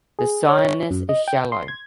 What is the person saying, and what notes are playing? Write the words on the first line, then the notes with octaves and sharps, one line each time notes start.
The sinus is shallow.
G#4
C#5
F#2
D#5
G5
C6
G#6